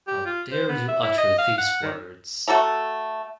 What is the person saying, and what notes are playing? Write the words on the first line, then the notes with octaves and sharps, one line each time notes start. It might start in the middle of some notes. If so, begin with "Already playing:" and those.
How dare you utter these words?
G4
F4
C5
B3
E5
E4
D#5
F5
F#5
D#3
A3 F#4 A4 A#5